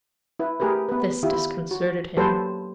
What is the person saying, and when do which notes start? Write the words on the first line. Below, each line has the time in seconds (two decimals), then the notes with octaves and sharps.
This disconcerted him.
0.39 E4 B4
0.60 A3 G4 G#4 A#4 B4
0.89 B3 B4
1.23 D#3 E4 F4 G4
1.71 F#4
2.17 F#3 A#3 G4 A4 B4 C5